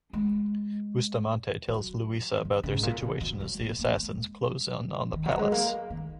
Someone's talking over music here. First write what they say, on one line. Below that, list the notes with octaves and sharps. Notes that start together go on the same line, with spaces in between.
Bustamante tells Luisa about their situation as the assassins close in on the palace.
G#3
F#3
D#3
C#3
G#2
A#2
C#3
F#3
F#3
A#3
A#3
G#3
D#3
F#3
G#3
A#3
D#3